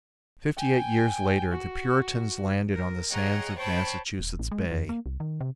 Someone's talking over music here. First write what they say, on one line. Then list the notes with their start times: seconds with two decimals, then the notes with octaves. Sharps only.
Fifty-eight years later the Puritans landed on the sands of Massachusetts Bay.
0.57 G5 G#5
1.51 F#4
2.74 A#4
3.11 G#4 C#5 D#5 F#5 G5 A#5
3.58 C5 C#5 G5 A5 B5 C#6
4.20 D#1
4.39 A1
4.52 G#3
4.71 F2
4.89 A#3
5.06 C2
5.20 D#3
5.41 C3